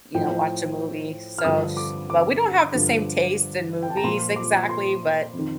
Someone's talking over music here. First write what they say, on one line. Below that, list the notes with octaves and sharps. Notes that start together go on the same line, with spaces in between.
you know, watch a movie, so, if s but we don't have the same taste in movies exactly, but,
A2 F3 G5
F6
G2 D3 F3 D#6
D6
D6
G2 D3 F3
G5
A5
A#5
A#2 F3 C6
D6
C6
F2
D#3